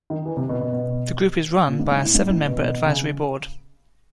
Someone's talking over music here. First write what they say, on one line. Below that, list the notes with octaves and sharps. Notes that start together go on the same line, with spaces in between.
The group is run by a seven-member advisory board.
D#3
E3
C3
B2
B2
B2
A#2
G#2
G#2
A2
G#2
A2
B2
B2
C#3